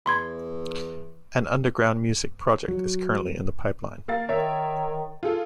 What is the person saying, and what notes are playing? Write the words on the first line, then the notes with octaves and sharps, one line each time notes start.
An underground music project is currently in the pipeline.
E2 B5 C6 G#6
F#3
A#3 F5 A6
D#3 A#4 C#5 E5
F4 G#4 A4